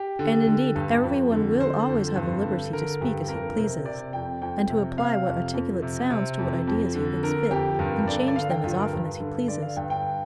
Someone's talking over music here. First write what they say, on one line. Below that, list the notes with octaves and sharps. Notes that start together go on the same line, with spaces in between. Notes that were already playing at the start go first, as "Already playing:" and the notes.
And indeed every one will always have a liberty to speak as he pleases, and to apply what articulate sounds to what ideas he thinks fit, and change them as often as he pleases.
Already playing: G4
D3
D3
G2
F2
D3
D3 C5
F2
G2
D3
D3 A#4
G2 G4
F2 A#4
C3
C3 D5
F2 G5
F2 G5
C3
C3 F5
F2
F2
C3
C3
F2
F2
D3
D3 A#4
F2 G4
G2 A#4
D3 D5
D5
D3 F5
G5
G2 F4
A#4
G2
D3
D3 D5
F5
G2 G5
G5